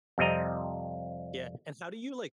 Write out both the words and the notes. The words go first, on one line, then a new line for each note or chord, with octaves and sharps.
Yeah, and how do you, like
F2 C3 G3 C4 D#5 A#5